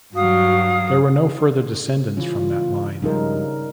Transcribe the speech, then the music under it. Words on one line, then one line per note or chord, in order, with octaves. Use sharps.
There were no further descendants from that line.
G2 F#3 F#4 F5 D#6
C#3 E3 C#4 F4
G2 C#3 F3 G3 G#3 D#4 A#4